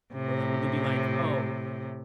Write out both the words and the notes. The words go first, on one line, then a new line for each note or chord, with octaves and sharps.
Or, li would they be like, "Oh,
A2 C3